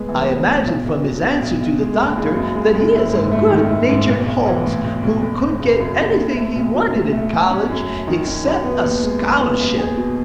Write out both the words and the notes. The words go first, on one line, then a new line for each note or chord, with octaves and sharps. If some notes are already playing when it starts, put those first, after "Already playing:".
I imagine from his answer to the Doctor that he is a good-natured hulks who could get anything he wanted in college except a scholarship.
Already playing: A2 G#3 B3
E3
B3
A2
B1
B1
F#3
B2
B1
B1
G#3
F#1
C#3
F#2
G#3
F#1
E4
G#2
A3
D#3
E4
G#2
B1
B1
E3
A2
B1
B1
F#1
F#1
C#3
F#2
F#1
F#1
A3
B1
F#3
A2
A3
B1
C#4
F#2
A3
D#3
C#4
F#2
B3
D#2
G#3
C#3
B3
D#2
G#4
B2